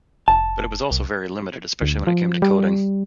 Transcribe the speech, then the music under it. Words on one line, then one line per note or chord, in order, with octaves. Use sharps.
But it was also very limited, especially when it came to coding.
F1 A5
C2
D2
F3
G3